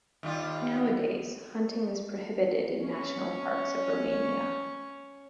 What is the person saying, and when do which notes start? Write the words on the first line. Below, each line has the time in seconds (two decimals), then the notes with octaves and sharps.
Nowadays, hunting is prohibited in national parks of Romania.
0.23 D#2 G3 F4
2.83 C#4 C#5